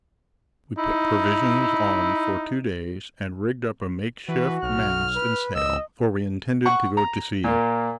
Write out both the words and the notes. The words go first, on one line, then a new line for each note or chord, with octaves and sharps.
We put provisions on for two days and rigged up a make-shift mast and sail, for we intended to go to sea.
D#4 E4
E3 F#4 B4
B1 F6
B4
C#2 D#5 E6
F#5 C#6
A#5
A#2 A#3